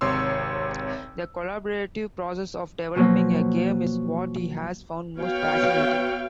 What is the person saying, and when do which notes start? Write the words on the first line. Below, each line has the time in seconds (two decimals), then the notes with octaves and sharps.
The collaborative process of developing a game is what he has found most fascinating.
0.01 G#1 C3 C#5 C6 E6
2.95 B2 F3 F#3 A#3
5.18 B3 F#4 C#5 F5 G5